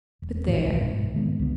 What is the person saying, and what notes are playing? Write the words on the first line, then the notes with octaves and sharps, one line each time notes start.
But there!
E1
A1 G#2 E3 C#4
D#1 C2
G#2 B2
D#3 G#3 A#3 B3
C#2 D3 A#3 B3